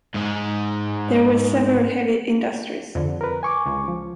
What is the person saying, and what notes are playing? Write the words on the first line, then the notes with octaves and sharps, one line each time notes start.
There were several heavy industries.
G#2 G#3
F2 D3
A#4 B4
G#5 C#6 D6
C#2
F3